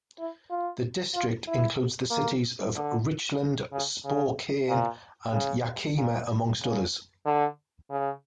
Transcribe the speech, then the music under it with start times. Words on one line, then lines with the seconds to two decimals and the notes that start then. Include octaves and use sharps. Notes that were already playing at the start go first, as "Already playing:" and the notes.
The district includes the cities of Richland, Spokane, and Yakima, amongst others.
0.19 E4
0.51 F4
1.14 F4
1.47 E4
2.11 A#3
2.76 D3
3.72 C#3
4.05 C#3
4.69 A#2
5.32 C#3
5.97 A#2
6.62 C#3
7.26 D3
7.90 C#3